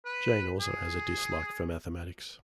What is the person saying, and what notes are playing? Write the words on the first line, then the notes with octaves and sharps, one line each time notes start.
Jane also has a dislike for mathematics.
B4
G#4